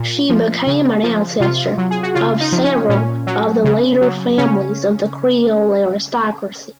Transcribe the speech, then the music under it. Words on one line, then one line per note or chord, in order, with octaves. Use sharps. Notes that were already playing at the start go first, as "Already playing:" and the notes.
She became an ancestor of several of the later families of the Creole aristocracy.
Already playing: A#2
F3
C#3
F3
C3 F4
F#3
G#4
F#4
C#3 F4
D#4
F3
C#4
A#2 C#4
F#3
C#3
F#3
C#3 C#4